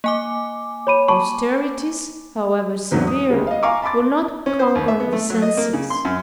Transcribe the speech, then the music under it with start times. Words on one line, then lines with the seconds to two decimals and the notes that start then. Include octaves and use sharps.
Austerities, however severe, will not conquer the senses.
0.04 A#3 G#5 D6
0.87 C#5 B5 D#7
1.08 A5 B5 C#6
2.91 E2 G#2 D3 F#3 B3 C4
3.07 D#6
3.30 D2 G3 G#3
3.47 D#5 F5
3.63 F5 G#5 A#5 C#6 D6
3.82 A5 B5 C6 D6 A6
4.46 C#4
4.59 C5
4.75 D#2
4.88 E5
5.00 B3
5.13 A3
5.30 F#3
5.42 D#5
5.57 A#3
5.73 C#3
5.90 C6
6.05 F#2